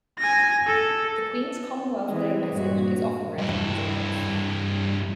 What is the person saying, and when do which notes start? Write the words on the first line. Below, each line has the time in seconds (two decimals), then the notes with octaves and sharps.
The Queen's Commonwealth Day message is often read at these events.
0.18 G#5 A#6
0.66 A4
2.07 E3 G#3 C4
2.53 G2 A#2 F#4
3.38 G2 E4